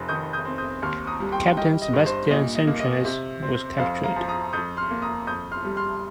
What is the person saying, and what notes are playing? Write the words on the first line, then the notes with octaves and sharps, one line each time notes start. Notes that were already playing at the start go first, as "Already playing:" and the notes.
Captain Sebastian Sanchez was captured.
Already playing: F1 F2
D#3 D#6 G6
D#6 G6
C4
D#6 G6
D#2 C6 F6
A#5 D#6
G3
G5 C6
G3 D#5 G5
D#5
G2
C5
A#2 D#5
D#5
A#3
D#5
C3
C4
F2 C5 F5
F5 A#5
F3
A#5 D#6
F2 D#6 G6
C6 F6
A#3
A#5 D#6
F2 D#6 G6
C6 F6
G3
C6 F6